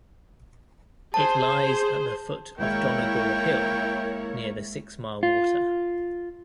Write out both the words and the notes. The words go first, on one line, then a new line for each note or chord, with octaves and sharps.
It lies at the foot of Donegore Hill, near the Six Mile Water.
G#4 C5 A5
G#1 G#3 A#3 E4 A#4 C#5 E5 G5
F4